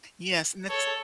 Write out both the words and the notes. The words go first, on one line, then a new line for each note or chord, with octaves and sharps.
Yes, and that's
A4 C#5